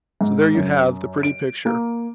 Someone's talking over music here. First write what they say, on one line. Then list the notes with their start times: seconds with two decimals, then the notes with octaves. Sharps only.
So there you have the pretty picture.
0.21 G#2
0.55 F#2
1.23 D7
1.66 A#3